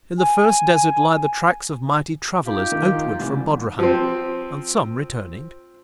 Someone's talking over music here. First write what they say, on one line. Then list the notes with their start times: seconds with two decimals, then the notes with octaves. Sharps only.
In the first desert lie the tracks of mighty travellers outward from Bodrahan, and some returning.
0.18 G#5
2.44 D#4 F4 G4
2.72 D#3
3.19 C2 E3
3.79 F3 C4